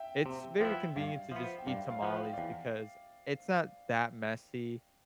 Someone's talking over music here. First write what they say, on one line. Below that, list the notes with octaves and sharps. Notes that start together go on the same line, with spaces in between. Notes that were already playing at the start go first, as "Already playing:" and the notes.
It's very convenient to just eat tamales because it's not that messy.
Already playing: E5 G5
C3
F3 B3 E4 E5 G5
G2 D5 F5
F3 B3 C5 E5
G5
G2 D5 F5
D5 F5
F3 B3
F5
G5
E2 D5 F5